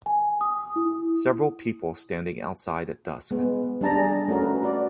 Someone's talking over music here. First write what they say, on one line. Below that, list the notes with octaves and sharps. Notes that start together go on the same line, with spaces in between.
Several people standing outside at dusk.
G#5
D#6
E4
G#3 B3
G3 D4 A5 A#5
G#4
A3 C#4 F#4 A#4
B4
F#4 D5